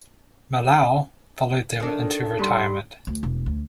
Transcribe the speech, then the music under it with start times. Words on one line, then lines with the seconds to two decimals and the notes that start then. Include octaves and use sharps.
Malou followed them into retirement.
1.80 D#3 D4 A4
2.39 G2 C6
3.07 D2
3.23 E1
3.46 D2